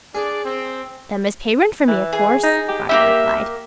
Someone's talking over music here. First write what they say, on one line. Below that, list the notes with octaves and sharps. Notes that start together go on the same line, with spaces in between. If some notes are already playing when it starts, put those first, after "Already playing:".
"Them as pay rint for me, a course!" the Gardener replied.
D4 G#4 D5
C4
E3
G#4
D#4
G4
A#3 C#4 G4 E5